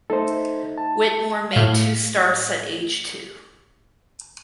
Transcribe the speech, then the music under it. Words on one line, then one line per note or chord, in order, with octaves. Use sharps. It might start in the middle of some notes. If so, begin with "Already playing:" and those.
Whitmore made two starts at age two.
A3 D#4 A4 C5
A5
A2 F5